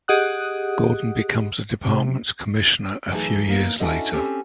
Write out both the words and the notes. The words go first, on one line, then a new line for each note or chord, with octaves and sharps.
Gordon becomes the department's commissioner a few years later.
G4 G#4 D#5 F#5 D#6 F#6
C3
E3 F#3 A3 D4 D#4 G#4
A#3 B3 D#4
C#4 D4 E4 F#4 A4 D#5
C4 C#4 G4 A4